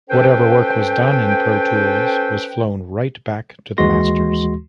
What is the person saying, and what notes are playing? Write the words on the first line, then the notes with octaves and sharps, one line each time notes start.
Whatever work was done in Pro Tools was flown right back to the masters.
C#4 A4 B4 C5 G5
D#2 E3 G#3 F#4 C6 A#6